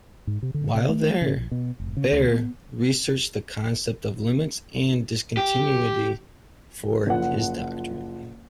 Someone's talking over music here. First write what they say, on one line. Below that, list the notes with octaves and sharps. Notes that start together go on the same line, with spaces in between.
While there, Baire researched the concept of limits and discontinuity for his doctorate.
G#2
C3
D3
C3
A3
C#3
A#1
B2
F1
C#3
D2
B3
G4
F#1 F3 F#5